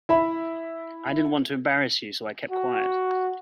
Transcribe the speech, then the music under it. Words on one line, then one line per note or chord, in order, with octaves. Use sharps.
I didn't want to embarrass you so I kept quiet.
E4 E5 B5
F#4